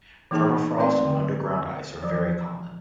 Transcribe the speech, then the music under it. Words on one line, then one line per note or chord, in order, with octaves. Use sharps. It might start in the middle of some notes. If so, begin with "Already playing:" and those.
Permafrost and underground ice are very common.
E3 A#3 D#4 G#4 G5 A5
A3 C4 B4 D5 C6
D3 G5
E3 F3 C#5